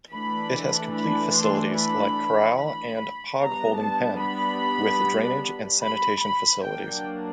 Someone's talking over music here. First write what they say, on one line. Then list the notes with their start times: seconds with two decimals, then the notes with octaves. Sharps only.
It has complete facilities like corral and hog-holding pen with drainage and sanitation facilities.
0.13 E3 A3 D4 B5
0.94 B5
1.35 C6
1.76 B5
2.57 B5
3.39 G3 B3 D4 A#5
3.79 A5
4.20 B5
5.82 B5
6.23 B5
6.63 F#3 A#3 D4 G5